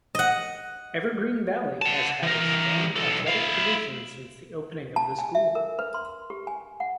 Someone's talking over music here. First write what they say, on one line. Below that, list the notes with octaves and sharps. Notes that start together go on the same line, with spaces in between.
Evergreen Valley has had a strong athletic tradition since the opening of the school.
D#5 F#5
F#5 A5
E3 A#4
B1 A4
E4 F5
A5
G#5
E5
A#4
B4
C6
G4
G#5
F#5